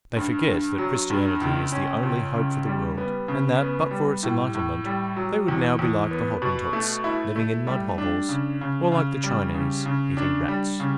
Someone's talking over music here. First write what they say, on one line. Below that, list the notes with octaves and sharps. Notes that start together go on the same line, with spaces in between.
They forget that Christianity is the only hope for the world, and that, but for its enlightenment, they would now be like the Hottentots, living in mud hovels, or like the Chinese, eating rats.
G2
G2
F#3
G2
C#2
C#4
C#2
C#3
G3
B3
C#3
B3
G3
A2
A2
G3
F#3
E2
E2
B3
B2
A3
E4
A3
G3
D4
C#3
C#3
C#3
G3
C#3
C#3
D4
G3
C#3